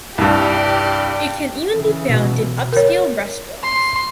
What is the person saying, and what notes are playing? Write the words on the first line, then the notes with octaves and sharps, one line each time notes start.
It can even be found in upscale restaurants.
C2 G2 G4 D5
C#3 E3
B2
A#4 C#5
C6